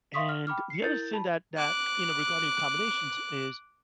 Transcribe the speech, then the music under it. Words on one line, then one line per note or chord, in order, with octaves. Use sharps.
and the other thing that that, you know, regarding accommodations is,
E5 F5 C6 C#6 D#6 B6
F6
G5 B5 D6 F6
C7 C#7
E4 A#4 G6 A6
A5 B5
D6 F#6